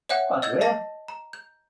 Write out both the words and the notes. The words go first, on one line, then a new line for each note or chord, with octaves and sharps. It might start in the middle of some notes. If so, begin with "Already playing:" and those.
Glad you're here.
C#5 E5 F#5 G5 F#6
D#5 E6 G6 G#6
D#5 A5 A#6
A#5
G6